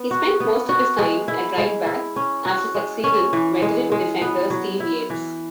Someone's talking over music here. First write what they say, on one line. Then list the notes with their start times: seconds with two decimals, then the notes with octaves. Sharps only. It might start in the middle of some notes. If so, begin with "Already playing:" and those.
He spent most of his time at right-back, after succeeding veteran defender Steve Yates.
Already playing: B3
0.11 F#4
0.40 B3
0.69 F#4
0.98 G#3
1.28 E4
1.58 G#3
1.86 E4
2.16 C#4
2.46 F#4
2.75 G#3
3.04 C#4
3.33 E3
3.62 G#3
3.92 G#3
4.22 B3
4.50 F#3
4.80 E4
5.10 E3